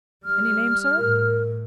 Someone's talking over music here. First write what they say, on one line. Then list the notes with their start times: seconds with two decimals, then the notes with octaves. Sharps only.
"Any name, sir?"
0.25 G3 F6
0.97 A2 A#4